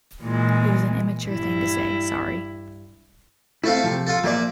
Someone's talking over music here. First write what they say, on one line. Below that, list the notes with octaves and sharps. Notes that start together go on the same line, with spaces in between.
It was an immature thing to say, sorry.
A#2 E3 G#3
G2 E4
A3 C4 E4 A4 F5
C3 F3
F4 A4
A#2 F3 A#3 D5 E5